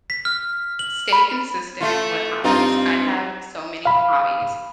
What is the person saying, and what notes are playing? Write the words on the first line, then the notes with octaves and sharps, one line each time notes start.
stay consistent with hobbies, I have so many hobbies.
B6
F6
F#7
B5
A3 F4
G2 C4 D#4 F4
F5 B5